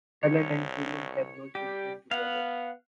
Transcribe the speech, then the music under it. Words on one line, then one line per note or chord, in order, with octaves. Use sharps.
Helen and William had no children together.
C2 C#5
G3 G4
B3 F5 F#5